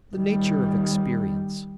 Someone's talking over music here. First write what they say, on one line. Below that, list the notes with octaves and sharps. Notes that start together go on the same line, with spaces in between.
The Nature of Experience.
D#3 G3